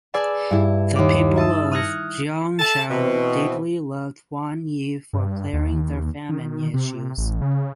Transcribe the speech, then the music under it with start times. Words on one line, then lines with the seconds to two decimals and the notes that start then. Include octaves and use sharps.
The people of Jiangzhou deeply loved Huan Yi for clearing their famine issues.
0.14 G#4 B4 D5 G#5 A5 E6
0.51 G2 E4
0.96 D#2 D6
1.36 E5 A5 D#6 E6
1.72 D#6 F6 F#6 G#6 A#6 C#7
2.59 A4 E5 A5
2.90 B2 E3 C4
5.13 G2
5.53 D#2
6.29 D#3
6.74 C3
7.17 A1
7.42 C#3